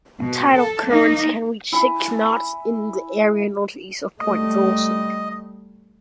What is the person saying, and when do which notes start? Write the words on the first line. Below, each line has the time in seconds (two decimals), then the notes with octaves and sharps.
Tidal currents can reach six knots in the area northeast of Point Wilson.
0.20 B2
0.57 A4
0.87 A#3 D#4
1.72 E4 G#5
4.20 G3 A3 D#5